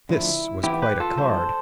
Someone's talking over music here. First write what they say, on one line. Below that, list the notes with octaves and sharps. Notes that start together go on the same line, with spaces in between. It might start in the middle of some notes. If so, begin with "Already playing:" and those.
This was quite a card.
D3 F3 A3 E4
E3 B3 E4 G4
G4 B4
F4 A4
E3 G3 B3 A4 C5